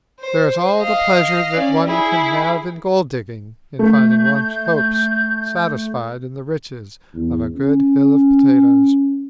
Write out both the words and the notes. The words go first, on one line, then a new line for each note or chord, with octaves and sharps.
There is all the pleasure that one can have in gold-digging in finding one's hopes satisfied in the riches of a good hill of potatoes.
C5
D#5 F5
C#4 D5
E4 G#4
A3 G6
E2
C#4